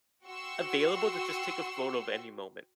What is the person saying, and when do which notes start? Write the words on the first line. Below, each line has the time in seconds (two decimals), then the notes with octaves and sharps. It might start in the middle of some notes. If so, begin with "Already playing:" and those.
a available to just take a photo of any moment.
0.24 F#4 F#5 G5 C6 C#6 E6